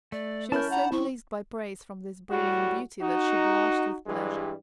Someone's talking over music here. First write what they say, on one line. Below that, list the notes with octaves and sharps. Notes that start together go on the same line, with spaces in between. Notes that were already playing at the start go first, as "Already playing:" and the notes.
She was so pleased by praise from this brilliant beauty that she blushed with pleasure.
A3 D5
C#4 E4 A#4 A5 B5 G6
F#5 A#5
C4 E4 C#6
A2 G3 F#4
D#4 F#4
G2 E3 G3 G#3